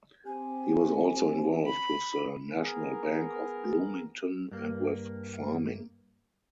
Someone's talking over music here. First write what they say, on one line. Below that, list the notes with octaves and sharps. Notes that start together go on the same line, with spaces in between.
He was also involved with the National Bank of Bloomington and with farming.
C4 G4 G#5
B5
B3 G#4 A#4
G2 A#3